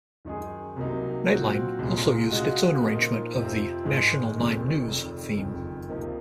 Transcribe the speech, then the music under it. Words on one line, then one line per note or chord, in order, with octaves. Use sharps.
"Nightline" also used its own arrangement of the "National Nine News" theme.
F#2 D#3 G#3 D#4 G#4
C2 C3 F#3 A#3 D#4
A#2 F#3 C4 D#4 F#4
C2 A#2 G#3
C#3 G#3 D#4 F#4
A#2 F3 A#3 D#4
F2 C3 F3 C4
G#2 D#3 G#3
F1 F2 D#3 G#3 D#4
F1 F2 D#3
F#1 F2 D#3
C#2 C3 F3 A#3 D#4